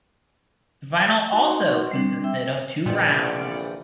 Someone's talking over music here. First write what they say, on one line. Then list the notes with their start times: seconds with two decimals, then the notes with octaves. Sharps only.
The final also consisted of two rounds.
1.30 D#4 F#4 F#5 C6 C#6
1.92 G3 C4 D4
2.24 E5 G5 E6
2.86 A#1 A#2 D3 E3 B3 F4 D5 G5